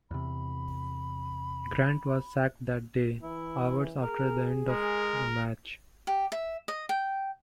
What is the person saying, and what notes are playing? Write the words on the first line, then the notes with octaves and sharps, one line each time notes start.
Grant was sacked that day, hours after the end of the match.
E2 C3 B5
E3 E4
G#4 A#4
G#3 A#4
G4
E5
D#5
G5